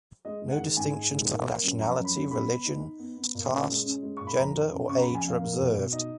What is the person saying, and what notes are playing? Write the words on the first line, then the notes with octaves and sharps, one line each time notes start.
No distinctions of nationality, religion, caste, gender, or age are observed.
G#3 D#5
G#3
F#5
D#3
G#2 G#5
G#3
G#2
A#3
A#3
F#2
F3 A#5
F#2
B5
F#2
B3 B5
B3
D#4
D#4
B3
B3
A#2
C#4
G#3
C#4
G#3
A#2 C#6
B5
F2 A#5
F3
C#3
C#3 C#6
A#5
B5
F2
G#5
F2 F5
A#3
B2
B2
D#4 D#5